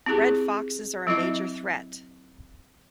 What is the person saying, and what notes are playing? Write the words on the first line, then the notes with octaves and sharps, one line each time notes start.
Red foxes are a major threat.
C4 E4 G4 G#4
F#3 C4 E4 D#5